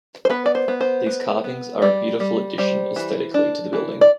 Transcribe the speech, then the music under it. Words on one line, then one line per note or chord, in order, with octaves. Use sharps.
These carvings are a beautiful addition aesthetically to the building.
C5
B3 B4
D5
C5
B3
C5
B3
B3
G3 D5
G3
G3 C5
E3
D4
E3
D5